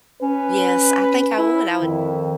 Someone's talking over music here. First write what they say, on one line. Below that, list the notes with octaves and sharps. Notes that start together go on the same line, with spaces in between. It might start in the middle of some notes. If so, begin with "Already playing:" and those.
Yes, I think I would I would
C#4 B4
E4
F2 D#3